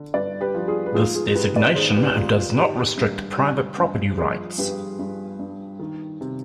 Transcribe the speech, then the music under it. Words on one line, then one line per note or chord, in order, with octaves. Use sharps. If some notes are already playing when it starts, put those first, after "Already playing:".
This designation does not restrict private property rights.
Already playing: D3
G2 B4 D5
G4 B4
F3
F4 G#4
B4
G#2 F4 G#4
F4 G#4
G#2 G4 B4
B4 D5
D#3 G#4 C5
G4 B4
G#2 F4 G#4
F4
D#3 G4
G2
G3
G2
F3 F4 G#4
G2 G4 B4
G2
G2
D#3
C3